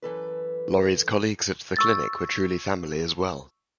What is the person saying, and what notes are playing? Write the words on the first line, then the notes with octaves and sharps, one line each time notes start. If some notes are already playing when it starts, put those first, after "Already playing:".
Laurie's colleagues at the clinic were truly family as well.
F#2 E3 A4 B4
C#6 E6 A6